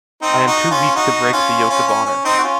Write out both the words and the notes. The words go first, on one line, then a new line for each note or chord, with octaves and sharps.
I am too weak to break the yoke of honor.
C4 D#4
D#4 F#4
C#4 F4
D#4 F#4
C#4 F4
C#4 F4
C#4
C#4
C4 D#4
F#4
C#4 F4